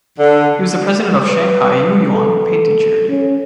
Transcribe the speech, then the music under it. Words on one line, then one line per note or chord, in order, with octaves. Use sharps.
He was the president of Shanghai Yuyuan Painting Charity.
D3
B4
A4
C#4